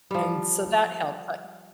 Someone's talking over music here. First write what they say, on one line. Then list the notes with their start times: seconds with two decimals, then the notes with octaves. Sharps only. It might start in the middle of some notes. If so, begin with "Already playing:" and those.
And so that helps, I
0.11 F3 G3